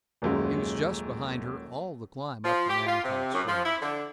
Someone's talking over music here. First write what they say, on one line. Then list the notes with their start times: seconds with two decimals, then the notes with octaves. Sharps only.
He was just behind her all the climb up to Mammoth Hot Springs.
0.22 D#1 F#2 G#3
2.43 F3
2.68 G4
2.87 F4
3.03 C3
3.32 F#2
3.47 F3
3.64 E4
3.81 D3